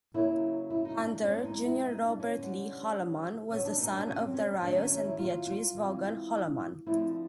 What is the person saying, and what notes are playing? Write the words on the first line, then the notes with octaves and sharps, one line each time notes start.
Hunter, Jr.. Robert Lee Holloman was the son of Daraious and Beatrice Vaughan Holloman.
C#3 F#3 A#3 E4
E4
D#4
D4
D4
C#4
E3 G#3 C4 D4
D4
D#4
E4
D#4
D4
C#4
D3 G3 B3
B2 F#3 B3 C#4
D4
D#4
D4
C#4
C4
C#4
D#4
D#3 F#3 A3 D4
C#4
C#4
E4
F4
F4
E3 G#3 C4
D3 F3 A3 C4 E4